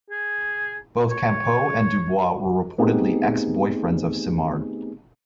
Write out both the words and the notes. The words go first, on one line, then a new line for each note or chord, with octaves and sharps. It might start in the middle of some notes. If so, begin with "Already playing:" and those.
Both Campeau and Dubois were reportedly ex-boyfriends of Simard.
G#4
C#5
A3 B3 C4 D#4 G4 G#4